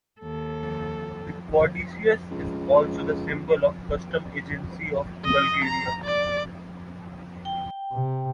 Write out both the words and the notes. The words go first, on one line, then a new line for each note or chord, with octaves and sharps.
The caduceus is also the symbol of the Customs Agency of Bulgaria.
D#2 A4
C#2
D#5
A#5
D5
G5
C3